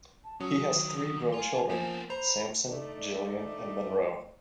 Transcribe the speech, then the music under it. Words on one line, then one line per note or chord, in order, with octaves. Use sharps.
He has three grown children: Samson, Gillian, and Monroe.
A5
F#3 C#4 D#6
D#3
F5 G#5 C6
F3 A#3 B3 C5
C5 A#5 B5
A3 D4 D#4 D5